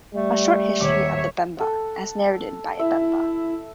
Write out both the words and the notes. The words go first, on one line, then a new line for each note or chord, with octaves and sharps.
"A Short history of the Bemba: As narrated by a Bemba".
G3 A3
D#1 C#5 E5 D6
A4 F#5
E4 E5